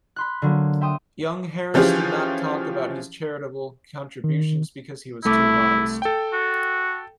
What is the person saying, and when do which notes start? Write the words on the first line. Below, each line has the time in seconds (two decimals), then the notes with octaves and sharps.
Young Harris did not talk about his charitable contributions because he was too modest.
0.16 B5 C6 F#6
0.42 D3 F#3 A#3
0.81 E5 G5 C6 D#6
1.74 E3 F3 C#4 F4 G4 G#4
4.24 D#3
5.24 C2 A3 E4 D6
6.02 A4 G5
6.33 F#4